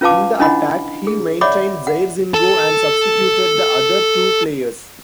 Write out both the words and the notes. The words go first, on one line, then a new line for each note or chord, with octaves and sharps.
In the attack, he maintained Jairzinho and substituted the other two players.
C#4 F4 B4 F5 A5 D6
C#4 D4 E4 D#5 F#5 B5
G#4
C#5 D5 E5 F#5 B5 D6
F#5
A4 A5